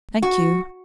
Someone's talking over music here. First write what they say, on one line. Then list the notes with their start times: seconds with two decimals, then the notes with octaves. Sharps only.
"Thank you."
0.22 F#4